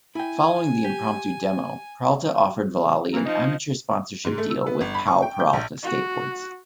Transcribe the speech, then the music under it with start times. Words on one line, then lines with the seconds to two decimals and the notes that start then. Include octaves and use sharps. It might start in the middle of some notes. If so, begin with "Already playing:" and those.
Following the impromptu demo, Peralta offered Vallely an amateur sponsorship deal with Powell-Peralta Skateboards.
0.15 E4 G5 G#5
0.84 G4
3.13 E3 A#3 C4 A#4
3.26 F3 D#4 D#5
4.25 G#2
4.38 A3
4.50 E6
4.67 B3
4.81 G1
4.94 B5
5.08 C#6
5.22 G5
5.40 G6
5.53 A#1
5.83 F#4